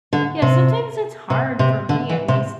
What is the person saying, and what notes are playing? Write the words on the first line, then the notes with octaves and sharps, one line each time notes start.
Yeah, sometimes it's hard, for me, at least,
D3
C3
C3
C3
D3
E3
C3